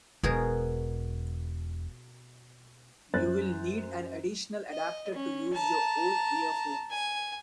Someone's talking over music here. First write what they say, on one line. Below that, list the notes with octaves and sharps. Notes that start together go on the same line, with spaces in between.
You will need an additional adapter to use your old earphones.
E1 B2 G#4 A#4
F#2 C5 F#6 A6
D#5
C#4
A5 A#5
G#5